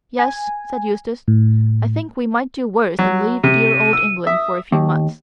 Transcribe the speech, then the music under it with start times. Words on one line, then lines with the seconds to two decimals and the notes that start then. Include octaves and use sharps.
"Yes," said Eustace, "I think we might do worse than leave dear old England for a few months."
0.19 G#5
1.28 A2
2.99 F#3
3.44 C3 D#7
3.93 E6
4.27 E5 D#6
4.72 D#2